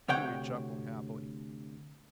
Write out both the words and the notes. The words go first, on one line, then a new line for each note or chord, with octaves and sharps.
Pewee chuckled happily.
D2 C3 C#5 F#5 G5